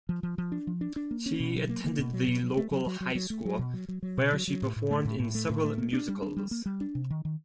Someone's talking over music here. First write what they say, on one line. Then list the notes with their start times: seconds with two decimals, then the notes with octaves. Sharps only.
She attended the local high school, where she performed in several musicals.
0.09 F3
0.23 F3
0.38 F3
0.52 D4
0.67 F3
0.81 D4
0.96 D4
1.11 A#3
1.26 C#4
1.40 B2
1.55 F#3
1.69 A#3
1.84 A#3
1.99 B2
2.13 F#3
2.28 B2
2.43 F#3
2.57 A3
2.71 F#3
2.86 F#3
3.01 F#3
3.15 F#3
3.30 A3
3.45 F#3
3.59 B2
3.74 F#3
3.88 F#3
4.03 F#3
4.17 B2
4.33 F#3
4.48 F#3
4.62 A2
4.76 A2
4.91 A3
5.05 A2
5.20 A2
5.35 A3
5.50 A2
5.64 A3
5.78 A#3
5.93 D4
6.08 G3
6.22 D4
6.37 G3
6.51 A#3
6.66 G3
6.81 D4
6.95 C3
7.10 D#3
7.25 D#3